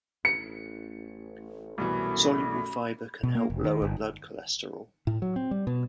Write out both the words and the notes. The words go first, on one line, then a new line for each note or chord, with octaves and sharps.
Soluble fiber can help lower blood cholesterol.
A1 C#7
C2 F#2 B2 E3 A3 B5
B2
A#3
F1
D#3
G1
A2
F#3
C4
G3
B2